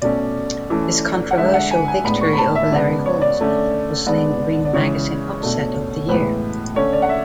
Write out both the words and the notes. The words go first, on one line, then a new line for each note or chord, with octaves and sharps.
His controversial victory over Larry Holmes was named Ring Magazine Upset of the Year.
B2 A3 C#4 D5
E3 A3 C#4
F#5
D3 G#3 D4 E5
F#5
G#5
G#5
A2 G#3 B3 D4 B5
C#6
B5
A5
E5
C#3 G#3 B3 D5
C#5
D5
D3 A3 C#4
D3 G#3 B3 D4 D5
D5
C#3 E3 G#3 C#5
B2 A3 D4
A2 E3 G#3 B3 B4
D3 A3 C#4 C#5
D5
F#5
E5